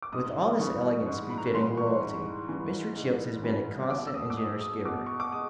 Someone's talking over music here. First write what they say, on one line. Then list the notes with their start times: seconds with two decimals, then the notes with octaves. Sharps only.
With all this elegance, befitting royalty, Mr. Childs has been a constant and generous giver.
0.02 D6
0.12 G#2 D#6
0.59 E3 G3 C#6
1.06 G#2 C#6
1.30 B5
1.38 A#5
1.44 B5
1.54 E3 G3 C6
1.77 C#6
2.01 G#2
2.49 E3 G3
2.96 G#2
3.43 E3 G3
3.90 B2 D6
4.07 E6
4.14 D#6
4.30 D6
4.37 G#3 D#6
4.61 D#6
4.85 B2 D6
5.06 C#6
5.20 D6
5.32 G#3 D#6